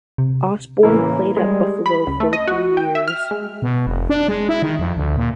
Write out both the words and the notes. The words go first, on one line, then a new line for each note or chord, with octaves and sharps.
Osborn played at Buffalo for three years.
C3
A2 C#3 E3 A#3 E4
G3 G#3
B5
C#2
A3
D#5
F#4
G5
E5
F6
G#3
B2
F1
D4
G#3
E4
D#3
F2
D2
A#2